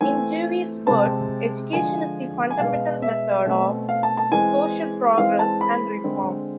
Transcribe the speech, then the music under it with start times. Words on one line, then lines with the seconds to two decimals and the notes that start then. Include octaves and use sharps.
In Dewey's words, education is the fundamental method of social progress and reform.
0.01 E3 A3 C4 G#5
0.87 C3 G#3 C4 A5
1.73 D3 F3 G#3 G#5
2.51 G#5
2.59 B2 G#3 B3 F5
3.02 E5
3.46 B2 A3 C4
3.89 F5
4.03 A5
4.17 A5
4.32 E3 G#3 C4 G#5
5.18 E3 G#3 C4 F5
5.39 A5
5.61 B5
6.04 D3 G#3 C4